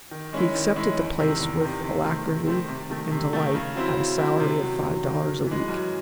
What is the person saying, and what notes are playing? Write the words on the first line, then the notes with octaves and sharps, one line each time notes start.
He accepted the place with alacrity and delight, at a salary of five dollars a week.
D#3
G#3 C#4 E4
D#3
G#3 C#4 E4
E2
C3 D#3
E2
C3 D#3
C3
D#3 A3 C4
C3
D#3 A3 C4
C3
D#3 A3
C3
D#3 A3
C#3
F#3 C4 E4
C#3
F#3 C4 E4
C3
D#3 F#3
C3
D#3 F#3
F#2
E3 G#3
F#2